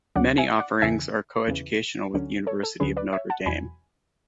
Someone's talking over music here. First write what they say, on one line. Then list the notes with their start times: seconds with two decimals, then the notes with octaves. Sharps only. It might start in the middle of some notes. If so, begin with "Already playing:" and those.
Many offerings are coeducational with the University of Notre Dame.
0.16 D2 C#3 F#3 C#4 D5 F#5
0.38 E5 G#5
0.59 D5 F#5
0.82 E2 C#3 E3 E5 G#5
1.48 E2 C#3 E3
2.14 D2 D3 F#3 C#4
2.47 A4 C#5
2.63 A4
2.80 D2 D3 F#3 C#4 G#4 B4
2.97 B4 D5
3.13 C#5 E5
3.30 F#5 A5
3.46 E2 B2 F#3 G#5 B5